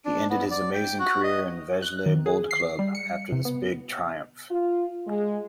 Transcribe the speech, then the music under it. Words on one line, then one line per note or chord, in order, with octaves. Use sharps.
He ended his amazing career in Vejle Boldklub after this big triumph.
D4
B3
D5
G5
F#4
D#5
F#6
D#3
G#4
C7
G3
C#7
C3
B3
F4
G#3